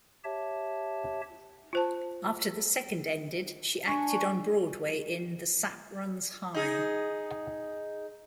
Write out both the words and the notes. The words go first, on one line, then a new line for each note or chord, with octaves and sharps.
After the second ended, she acted on Broadway in "The Sap Runs High".
G4 C#5 E5 A5
F4 C5 A5
D4 G#5 C#6
D#4 G#4